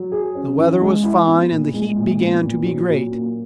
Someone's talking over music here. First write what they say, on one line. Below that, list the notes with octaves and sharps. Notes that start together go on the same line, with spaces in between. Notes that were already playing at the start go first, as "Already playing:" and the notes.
The weather was fine, and the heat began to be great.
Already playing: F#3
G#4
C#4
E3
G#3
E4
B3
A#2
G#3
A#2
B3
A#2
F#3
A#2
A#3